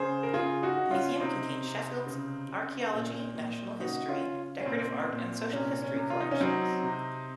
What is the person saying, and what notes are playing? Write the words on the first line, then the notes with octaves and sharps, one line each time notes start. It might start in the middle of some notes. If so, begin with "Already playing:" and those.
The museum contained Sheffield's archaeology, natural history, decorative art and social history collections.
Already playing: C#3 G#4 C5
A#4
C#3 F4 G#4
D#4 F#4
C#3
C#4 F4
C3 C4 D#4
C3
C#3
C#3
A#2
A#2
C#3 D#4 F#4
C#4 F4
C#3
C#4
A#2 C4
A#2
C3 C#4
C#4
C3
F4
D#4
C#4
F#3 C4 D#4
C3